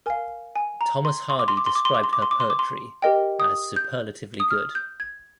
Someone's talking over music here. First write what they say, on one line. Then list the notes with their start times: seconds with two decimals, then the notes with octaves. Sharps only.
Thomas Hardy described her poetry as "superlatively good".
0.06 A#4 G#5
0.10 F5
0.56 G#5
0.81 A#5
1.05 C6
1.30 C6
1.39 D6
1.48 C6
1.57 D6
1.66 C6
1.75 D6
1.85 C6
1.95 D6
2.04 C6
2.13 D6
2.22 C6
2.31 D6
2.40 C6
2.50 D6
2.59 C6
3.02 G4 A#4 D#5 G5
3.40 D#6
3.76 G6
4.40 D#6
4.51 F6
4.75 G6
5.00 G#6